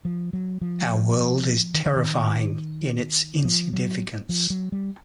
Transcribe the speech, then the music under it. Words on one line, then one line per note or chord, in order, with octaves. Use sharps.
Our world is terrifying in its insignificance.
F3
F#3
F3
D#3
D3
D#3
F3
F#3
F3
F#3
G3